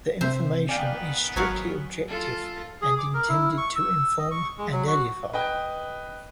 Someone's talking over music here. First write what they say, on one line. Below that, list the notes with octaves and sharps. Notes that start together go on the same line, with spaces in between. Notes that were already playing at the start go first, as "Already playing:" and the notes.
The information is strictly objective and intended to inform and edify.
C3 C4 C5 E5
D#3 B3 D5 F5 G5 G#5
G#1 F#3 F#4 C#5 F5
F4 A4
G#4
D6
A#4
E4
C#6
E6
D#5
C#6
G#3
F#3
F#4
B4 D#5 G5